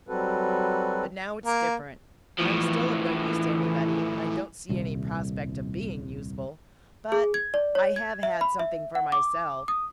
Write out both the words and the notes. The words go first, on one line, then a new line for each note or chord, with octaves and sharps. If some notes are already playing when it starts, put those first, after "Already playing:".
But now it's different--I'm still of no use to anybody, and I don't see any prospect of being useful, but I have had something for myself.
F#3 G3 C4 F#4 A4 B4
A#3
A2 E3 F3
D#1 C2
G#4
G#6
D5
C#5
G#6
E5
B5
E5
F#5
D6
D#6